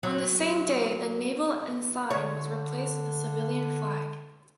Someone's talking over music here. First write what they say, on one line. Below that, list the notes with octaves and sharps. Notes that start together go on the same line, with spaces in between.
On the same day, the naval ensign was replaced with the civilian flag.
F#3
D3 C#5